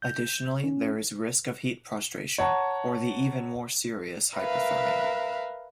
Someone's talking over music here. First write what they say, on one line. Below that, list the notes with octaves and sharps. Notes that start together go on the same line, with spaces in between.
Additionally, there is risk of heat prostration or the even more serious hyperthermia.
G6
C#4
C#5 F#5 A5 A#5 C#6
A#4 B4 E5 F5